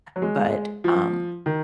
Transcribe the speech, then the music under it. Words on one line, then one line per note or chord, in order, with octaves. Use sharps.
but, um,
F#3
G#3
F3
D#3